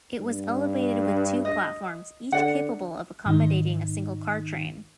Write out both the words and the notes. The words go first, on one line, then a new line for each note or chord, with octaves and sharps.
It was elevated with two platforms, each capable of accommodating a single car train.
G2
D#5
D3 D5 F#5
G#2 D#3 D#4